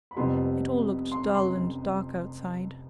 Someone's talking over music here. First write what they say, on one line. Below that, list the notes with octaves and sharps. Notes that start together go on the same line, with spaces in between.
It all looked dull and dark outside.
B5
F1 F2 C3 G3 B3 C6
C6
C6